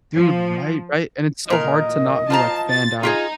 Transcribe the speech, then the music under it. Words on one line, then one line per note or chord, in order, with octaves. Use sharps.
Dude, right, right, and it's so hard to not be, like, fanned out.
F3
A#2 A#4 D#5
F4 C5 A5 A#5
A6
D#4 F4 G4 G#4